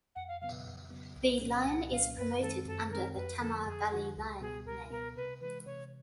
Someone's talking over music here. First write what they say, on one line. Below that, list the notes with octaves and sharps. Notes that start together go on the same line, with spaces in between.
The line is promoted under the "Tamar Valley Line" name.
F2 F#5
F5
C#3 F#3 B3 F5
F2
C#3 F#3 B3
C2
A#2 F#3 A#3 C#4
C2 F#5
A#2 F#3 A#3 C#4 F5
F#2 B4
D#3 G#3 C4 A4
F#2 A4
D#3 G#3 C4 A#4
F2 B4
D3 F3 A4
F2 G#4
D3 F3 F#4
C#2
B2 G3 B3 G#4
C#2 A#4
B2 G3 B3 A#4
C3 B4
E3 G#3 B4
C3 C#5